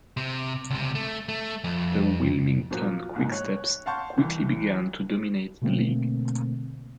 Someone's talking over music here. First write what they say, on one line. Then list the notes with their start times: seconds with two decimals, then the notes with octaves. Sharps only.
The Wilmington Quicksteps quickly began to dominate the league.
0.17 C3
0.70 C#2 C3
0.95 A3
1.29 A3
1.64 F2
2.71 G2 A#2 F3 F#3 B3
2.84 F4
3.16 A#1 D#2 G#2
3.32 C#5 F#6
3.86 F5 F#5 A5 C6 C#6 G6
4.18 C2 E3
5.62 B2 D3 A3 A#3 C4